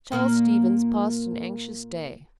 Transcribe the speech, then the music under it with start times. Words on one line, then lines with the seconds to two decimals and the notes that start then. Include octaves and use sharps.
Charles Stevens passed an anxious day.
0.12 A#2 A#3 A#4